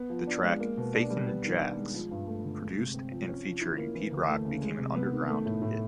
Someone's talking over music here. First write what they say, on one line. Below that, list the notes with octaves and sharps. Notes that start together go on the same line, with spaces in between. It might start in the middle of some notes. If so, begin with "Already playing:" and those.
The track "Fakin' Jax", produced and featuring Pete Rock, became an underground hit.
Already playing: B3
F3
D4
G#3
A#3
B2
D4
G3
B3
D#3
D4
G#3
F3
G2
A3
D3
G#3
C3
C4
F3
C#4
F3
E4
A#3
E3
D2
A3
C#3
G#3
C3
B3
D#3
A3
A2
A2